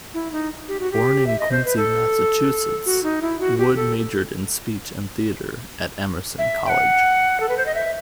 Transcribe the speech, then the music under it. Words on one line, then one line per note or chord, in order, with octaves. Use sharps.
Born in Quincy, Massachusetts, Wood majored in speech and theater at Emerson College.
E4
D#4
G4
F#4
G4
E5
D#5
C5
B4
A4
F#4
D#4
E4
F#4
G4
A4
E5
G5
F#5
A4
B4
C5
D#5
E5